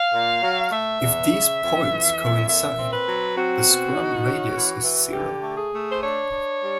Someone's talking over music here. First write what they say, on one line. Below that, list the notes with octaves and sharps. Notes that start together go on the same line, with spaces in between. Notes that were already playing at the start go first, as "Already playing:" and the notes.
If these points coincide, the scrub radius is zero.
Already playing: F5
A#2
F#3
A3 E5
E2
C#3
F2
E3
F2
A#2 E5
C4
B4
F#3
C4 F#4
B2
D#4
C#4
E3
E3
D3 G4
A3
G#4
A3
C5
D4 C#5
D4
G3